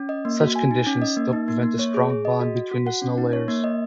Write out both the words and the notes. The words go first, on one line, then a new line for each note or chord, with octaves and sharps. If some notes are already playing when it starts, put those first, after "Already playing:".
Such conditions still prevent a strong bond between the snow layers.
Already playing: C#4
D#5
A#3
F#4
G#5
D#4
C#4
D#5
A#3
D#4
A#3
A#3
C#5
G#4
G#4
D#5
F#4
F#4
F#4
F#5
C#4
D#4
C#5
A#3
D#5